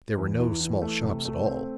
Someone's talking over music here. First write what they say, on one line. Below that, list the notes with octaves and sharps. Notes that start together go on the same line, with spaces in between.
There were no small shops at all.
E2
E3
E3
A3
C3
A3
C4